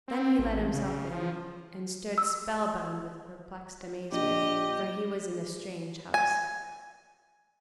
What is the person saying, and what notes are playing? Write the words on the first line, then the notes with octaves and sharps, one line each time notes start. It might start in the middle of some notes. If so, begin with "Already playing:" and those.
Then he let himself in, and stood spellbound with perplexed amazement,--for he was in a strange house.
C4
A1
C#3
F3
E6
A#1 G4 D#5
G#5